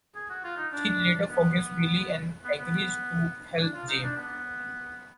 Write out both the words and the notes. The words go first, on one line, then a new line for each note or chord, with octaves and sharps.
She later forgives Billy and agrees to help Jay.
G#4
F#4
F4
D#4
D4
B3
B3
B3
D4
F4
D#4
D4
B3